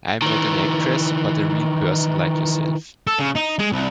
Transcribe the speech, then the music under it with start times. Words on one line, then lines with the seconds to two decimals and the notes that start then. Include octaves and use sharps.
I am not an actress, but a real person like yourself.
0.22 D#3 E3
3.07 A4
3.19 C#3
3.36 D#4
3.59 G#3
3.73 C2